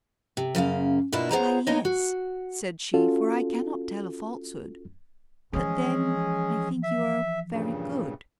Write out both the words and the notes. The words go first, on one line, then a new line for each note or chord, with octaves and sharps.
"Why, yes," said she, "for I cannot tell a falsehood; but then I think you are very good."
C3
F#2 C#3 A#3 F5
B2 A#3 D4 E4 F4
B3 F4 G#4 C5 C#5 A#5
A#3 B3 D#4 A#4 C#5 D#5
F#4
C#4 F4 F#4 A4
E3 F3 G#3 C#4 G#4
E5
G2 A#2 C#3